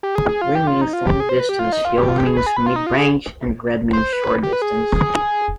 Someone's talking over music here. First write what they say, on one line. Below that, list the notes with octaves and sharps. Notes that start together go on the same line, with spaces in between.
Green means long distance, yellow means mid range and red means short distance.
G4
G#4
G#4
F4
G4
F4
D#4
F4
G4
G#4
C5
B4
G4
F4
D#4
F4
G4
F4
G4
G#4
B4
G#4
B4
F4
D#4
F4
G#4
C5
B4
G4
B4
G#4